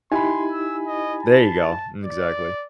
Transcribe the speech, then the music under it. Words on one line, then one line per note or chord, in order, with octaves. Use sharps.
There you go. Mm, exactly.
D#4 E4 G4 G#5 B5 C6
E6
D#5
A5
D5